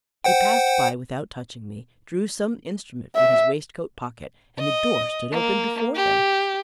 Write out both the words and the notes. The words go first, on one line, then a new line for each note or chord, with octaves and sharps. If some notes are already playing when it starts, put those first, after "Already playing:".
He passed by, without touching me, drew some instrument from his waistcoat pocket, and the door stood open before him.
C5 F#5 G5
E5
D#5
A#3
G4